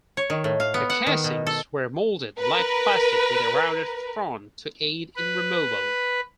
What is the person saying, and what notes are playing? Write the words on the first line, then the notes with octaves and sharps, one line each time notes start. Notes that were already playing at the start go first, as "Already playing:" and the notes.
The casings were molded black plastic with a rounded front to aid in removal.
C#5
D#3
A2
F5
B3
F#5
D#3
B2
A4
A#4 B4
B4